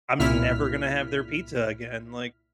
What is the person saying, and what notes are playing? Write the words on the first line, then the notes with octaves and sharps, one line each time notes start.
I'm never gonna have their pizza again." Like
C2 A#2 E4 F6 B6